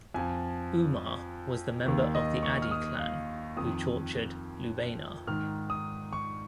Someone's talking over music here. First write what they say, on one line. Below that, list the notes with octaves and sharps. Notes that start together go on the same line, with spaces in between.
Umar was the member of the Adi clan who tortured Lubaynah.
F2 F3 G#5
D#2 D#3
D#5
C#6
F6
D#6
F5
F2 D#3 D#6
G#2 D#3 F6
D#6
C#6